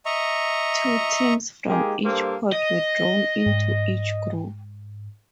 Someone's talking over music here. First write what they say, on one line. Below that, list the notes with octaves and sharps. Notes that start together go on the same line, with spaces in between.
Two teams from each pot were drawn into each group.
D#5 E5 A#5 C#6
G#3 A#3 D#4 G4 G#4
G2 A#3 G4 A4 C5
D#5
G#2